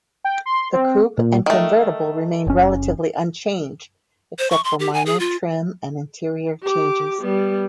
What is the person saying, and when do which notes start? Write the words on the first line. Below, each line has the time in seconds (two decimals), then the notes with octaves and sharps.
The coupe and convertible remained relatively unchanged except for minor trim and interior changes.
0.24 G5
0.46 C6
0.72 C4
1.18 A#2
1.46 D#3 A3
2.47 F#1 C#4
4.39 C5
4.51 C#6
4.64 C6
4.80 G4
4.94 G#5
5.06 G#4
5.20 F4
6.62 G4 D6
7.22 G3 B3